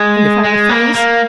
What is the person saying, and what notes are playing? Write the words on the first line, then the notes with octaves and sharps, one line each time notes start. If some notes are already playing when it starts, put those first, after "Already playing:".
"And if I refuse?"
Already playing: G#3
G#3
A#3
A#3